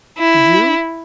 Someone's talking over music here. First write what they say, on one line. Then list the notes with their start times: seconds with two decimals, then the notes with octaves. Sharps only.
Did you?
0.18 E4